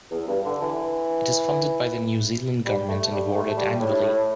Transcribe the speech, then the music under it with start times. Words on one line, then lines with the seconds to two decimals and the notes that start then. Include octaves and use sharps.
It is funded by the New Zealand government and awarded annually.
0.11 E2
0.28 G2
0.45 D3
0.62 E3
2.65 G3
2.89 A3
3.11 G3
3.34 A3
3.57 G3
3.80 A2
4.02 A2